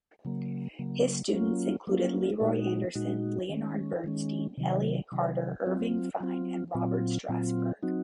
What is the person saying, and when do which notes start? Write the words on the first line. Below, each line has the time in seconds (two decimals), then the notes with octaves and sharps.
His students included Leroy Anderson, Leonard Bernstein, Elliott Carter, Irving Fine, and Robert Strassburg.
0.25 C#3 F#3 A#3
0.79 C#3 F#3 A#3
1.33 F#3 A#3 C#4 F4
1.87 F#3 A#3 C#4 F4
2.41 A#2 G#3 D#4 F#4
2.95 A#2 G#3 D#4 F#4
3.49 D#3 G#3 C#4
4.04 D#3 G#3 C#4
4.58 C3 D#3 F#3
5.12 C3 D#3 F#3
5.66 F#3 C4 F4
6.20 F#3 C4 F4
6.75 A#2 F#3 C4 F4
7.29 A#2 F#3 C4 F4
7.83 F#3 C4 D#4 F#4